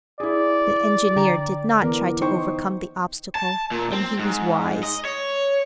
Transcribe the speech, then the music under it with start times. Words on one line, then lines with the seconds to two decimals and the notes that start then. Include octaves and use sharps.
The engineer did not try to overcome the obstacle, and he was wise.
0.20 E4 G#4 D5
1.16 D3 G5 A#5
1.82 E3 B3 A#4 D5
2.22 D#4 C5 G5 C#6
3.35 A5
3.71 A#2
3.93 C4
4.19 G#2
4.83 D#5
5.05 C#5